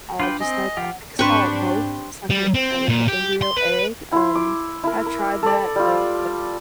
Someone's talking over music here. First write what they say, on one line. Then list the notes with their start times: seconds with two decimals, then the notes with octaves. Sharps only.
um, just like, I think it's called boke, it's like a, like a embryo egg, um, I've tried that, but
0.20 D4 F4 B4 G5 D6
0.40 C4 D#5 G#5
0.77 F3 F4 G4 F#5
1.19 G#2 C4 D4 G4 B4 C5 C#6
2.30 G3
2.54 C4
2.89 A#2
3.08 G4
3.42 C6
3.57 B4
4.12 E4 C6
4.35 D6
4.84 E4 A#4
5.06 A#4
5.43 A4 D5
5.76 G3 F4